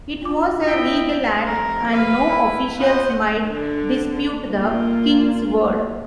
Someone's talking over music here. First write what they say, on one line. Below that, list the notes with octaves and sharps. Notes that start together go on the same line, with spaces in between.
It was a regal act, and no official might dispute the king's word.
D4 F4 D6
E4 D#5 E5 G5
F2 G3 A3 A#4
B4 F5
E4 B5
B3 C#4 F4 C5 D#5 F#5
D3
A#3 F4